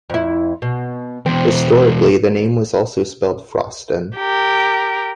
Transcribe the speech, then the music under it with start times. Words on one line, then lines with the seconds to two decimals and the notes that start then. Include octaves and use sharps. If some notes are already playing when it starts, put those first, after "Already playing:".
Historically, the name was also spelled "Frosten".
0.10 F2 E4
0.62 B2
1.26 E2 B2 C4
4.17 G4 A#4